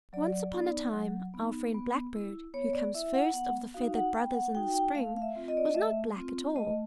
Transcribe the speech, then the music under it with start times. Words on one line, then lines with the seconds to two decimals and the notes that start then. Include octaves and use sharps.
Once upon a time, our friend Blackbird, who comes first of the feathered brothers in the spring, was not black at all.
0.13 F#3 D5
0.53 B3 D#4
0.93 F#3
1.34 B3 D#4
1.74 B3
2.14 E4
2.54 B3 C#5
2.73 D5
2.94 E4 E5
3.14 F#5
3.34 B3 F#5
3.74 D#4 F#4 F5
3.95 F#5
4.14 B3 G5
4.34 F#5
4.54 D#4 F#4 G5
4.74 G5
4.95 A3 F5
5.17 F5
5.22 E5
5.35 C4 F4
5.48 D#5
5.57 D5
5.66 D#5
5.74 A3 E5
6.16 C4 F4
6.56 A3 D#5